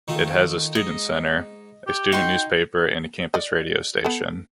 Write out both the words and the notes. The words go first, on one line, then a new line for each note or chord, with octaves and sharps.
It has a student centre, a student newspaper and a campus radio station.
D#3 A3 F4
G#2 D#5
G4
D#4 F#4 G5 C6
D5 D#5
B3 A4